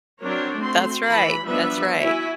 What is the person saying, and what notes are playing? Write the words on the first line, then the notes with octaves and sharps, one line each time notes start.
That's right, that's right.
F#3 C4 D4 A#4 C#5
A3 C4 F#4 C6
E3 B5
F3 G3 B3 D4 B4 E5
E4 F#4 E5 G#5